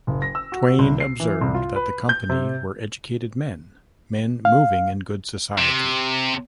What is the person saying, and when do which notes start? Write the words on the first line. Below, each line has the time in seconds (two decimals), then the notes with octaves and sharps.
Twain observed that the company were educated men, men moving in good society...
0.07 F#1
0.22 A#6
0.35 E6
0.52 F#4
0.79 C2
1.00 C7
1.20 E3
1.41 C2
1.54 F4
1.76 B4
2.09 G6
2.30 C3
4.45 F5
5.58 C3